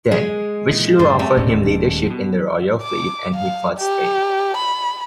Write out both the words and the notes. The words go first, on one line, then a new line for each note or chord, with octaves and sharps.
Then, Richelieu offered him leadership in the royal fleet and he fought Spain.
G#3 G#4
A#2 E3
F#2 A2 D3 C5
G3 A3 C4
D#1 D#2 C#4
B2
D6
F5
G4
B5